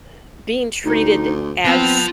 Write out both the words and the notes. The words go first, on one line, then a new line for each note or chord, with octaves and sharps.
eh, being treated as
D2 D#4
B3 C4 F4 A5